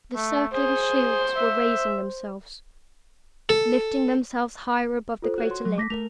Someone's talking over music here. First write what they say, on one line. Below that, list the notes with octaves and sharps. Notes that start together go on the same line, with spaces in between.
The circling shields were raising themselves, lifting themselves higher above the crater-lip.
A3
G#4 C5
E5
A4
F4 A4 C5
F#4 C#5
C6
F#3
A3 D6 A#6 B6
A3 A#4 F7